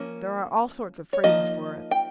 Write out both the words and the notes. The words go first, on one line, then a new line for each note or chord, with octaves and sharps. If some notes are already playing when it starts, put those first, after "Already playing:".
There are all sorts of phrases for it.
Already playing: F3 A#3 C#4
C#5
F3 A#3 D#4 D#5
G5